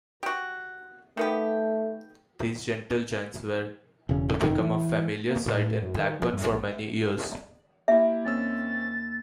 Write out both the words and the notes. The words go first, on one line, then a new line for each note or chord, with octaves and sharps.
These 'gentle giants' were to become a familiar sight in Blackburn for many years.
F#4 G4
D#3 A3 B3 G4
E1 C#3
F1 F#2 D#3
E3
A#3
A2
F#2
D#3
F3
G2
A#1
A#3 E4 G4 E5
D#2 C4 C#4 E6 A6